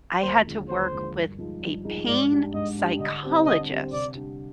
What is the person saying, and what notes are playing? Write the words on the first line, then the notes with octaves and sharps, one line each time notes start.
I had to work with a pain psychologist.
D#2 C5
D3 F3 G#3
D#2 C5
D3 F3 G#3
G2
F3 G#3 D#4 G#4
G2
F3 G#3 D#4 G#4
G#2 D5
G3 D4 G4
G#2 D#5
G3 D4 G4
D3 D#5
G3 C4 G4 C5
D3 D#5
G3 C4 G4 C5
C3 D5
G3 D4 G4